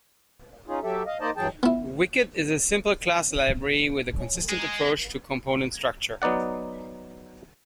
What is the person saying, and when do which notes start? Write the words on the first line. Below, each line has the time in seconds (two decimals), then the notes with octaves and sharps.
Wicket is a simple class library with a consistent approach to component structure.
0.68 C#4 D#4 F4 G#4
0.83 F#3 G4 A4 E5
1.07 D#5 F5
1.20 A#3 D#4 C5 D5 D#5 A5
1.37 G2 E3 F#3 G#4 G5 A5
1.63 B3 E4
4.49 G#3
6.22 F#3 B3 D#4 D5 F#5